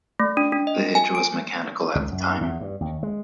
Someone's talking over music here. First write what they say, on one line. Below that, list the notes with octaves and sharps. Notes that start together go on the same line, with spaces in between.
The hitch was mechanical at the time.
A3
D4
D4
D#5
G#5
D7
C#2
F#2
E2
G2
D#2
G#3